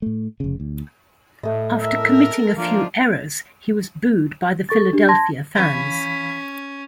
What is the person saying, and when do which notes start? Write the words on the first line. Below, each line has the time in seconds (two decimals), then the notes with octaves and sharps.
After committing a few errors, he was booed by the Philadelphia fans.
0.02 A2 A3
0.40 F1 C#3
0.60 D2
1.43 A2 A3 D#5
1.81 A4 A#4 E5
2.57 F3 A#3 D4 F4
4.69 A4 C#6 A6
4.93 D4 G4
5.09 A5 C6 G#6 A#6
5.55 E3 C#4 F5 B5 B6